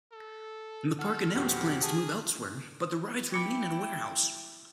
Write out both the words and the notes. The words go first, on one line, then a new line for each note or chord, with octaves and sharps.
The park announced plans to move elsewhere, but the rides remained in a warehouse.
A4
A4 F#5 F6
F2 B2 C4 F#4 G4
G#4 A5
E4 G5 B5 D6 C#7